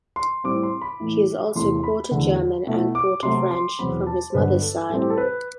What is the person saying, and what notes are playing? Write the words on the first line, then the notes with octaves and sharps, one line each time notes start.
He is also quarter German and quarter French from his mother's side.
C6
A2 G3 C4 D6
C6
B5
A2 E3 A3 E4
E2 C3 E3 A3 E4 C6
B5
E2 D3 A3
B2 A3 E4
D6
C3 F#3 A3 C6
C6
E2 B2 F#3 C4 B5
A5
C5
G2 D3 F#3 B3 B4
A4
A2 G3 C4 A4
G4
A4
B4